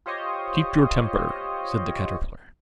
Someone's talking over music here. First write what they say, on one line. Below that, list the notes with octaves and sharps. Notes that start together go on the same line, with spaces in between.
'Keep your temper,' said the Caterpillar.
F4 G4 C5 C#5 D#5